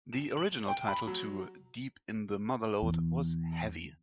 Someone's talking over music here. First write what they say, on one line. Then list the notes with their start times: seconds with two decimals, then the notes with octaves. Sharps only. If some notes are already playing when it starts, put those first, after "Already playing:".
The original title to "Deep in the Motherlode" was "Heavy".
0.13 E7
0.37 F#7
0.68 G5
0.88 B5
1.07 F#3
2.82 E2